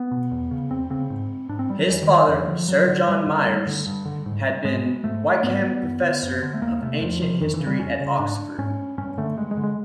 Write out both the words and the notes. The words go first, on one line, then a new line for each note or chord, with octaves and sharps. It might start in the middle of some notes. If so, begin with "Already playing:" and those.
His father Sir John Myres had been Wykeham Professor of Ancient History at Oxford.
Already playing: B3
B2
E2
C#3
E2 C4
C#3 C4
G#2
G#2 D4
C4
G3
F#3
F2 E3
D#3
D3
F2 E3
E3
D3 F3
G2 F#3
D3
G2 G3
D3
G2
D3
G2
D3
G#2
G#2 G#3
G#2 A3
G#2 B3
F#2
D3
F#2
D3
A3
E2 A#3
C3 A3
E2 F3
C3 F3
F2 D#3
E3
C#3
G3
F2 C#4
C#3
G#2 D4
G#2 C#4
G2 C#4
D3 A3
G2 G#3
G#3
D3
G#3